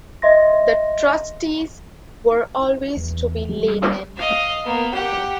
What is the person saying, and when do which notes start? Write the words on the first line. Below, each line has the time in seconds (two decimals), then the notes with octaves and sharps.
The trustees were always to be laymen.
0.22 D#5 E5 C6 A#6
2.97 E2
3.49 G3
4.17 D#5 F5
4.64 A#3 B3
4.94 G4 F#5